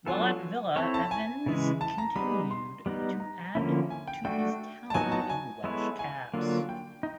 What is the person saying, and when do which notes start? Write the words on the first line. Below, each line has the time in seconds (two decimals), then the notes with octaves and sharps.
While at Villa Evans continued to add to his tally of Welsh caps.
0.06 F#3 B3 D4 F4 A4 G#5
0.76 C4 E4 A4 C#5 A5
0.94 A5
1.11 G#5
1.46 C#3 E3 G#3
1.81 A5
1.98 A#5
2.16 G3 B3 D#4 G#4 B5
2.51 C6
2.86 G3 B3 D#4
3.20 A#5
3.55 D3 F3 A#3 C#4 E4
3.90 G#5
4.08 G5
4.25 A3 D4 F#4 G5
4.90 A5
4.94 F#3 B3 D#4 F#4 G#5
5.12 A5
5.30 G#5
5.64 G#3 B3 E4 A4 C#5
5.99 G#5
6.34 D3 F#3 A#3 D4 F4
6.69 G5
7.03 D#4